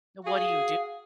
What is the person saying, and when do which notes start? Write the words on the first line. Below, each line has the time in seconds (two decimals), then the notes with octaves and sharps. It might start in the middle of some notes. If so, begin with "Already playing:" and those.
what do you,
0.24 F#4 G#4 F5